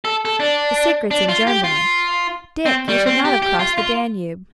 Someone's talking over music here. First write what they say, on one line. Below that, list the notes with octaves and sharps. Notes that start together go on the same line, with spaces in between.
The secret's in Germany. Dick, you should not have crossed the Danube.'
A4
A4
D4
D4
F4
G4
F4
C4
G3
C4
G4
G4
F4
F4